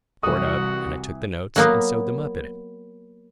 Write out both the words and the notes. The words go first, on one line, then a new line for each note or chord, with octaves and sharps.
I tore it up, and I took the notes and sewed them up in it.
C2 E3 F#4 D#6
F#3 A#3 B3